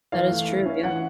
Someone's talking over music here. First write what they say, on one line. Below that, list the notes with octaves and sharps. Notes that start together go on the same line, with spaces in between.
That is true, yeah.
E3 F5
A3
E4
C#4
E3 F#5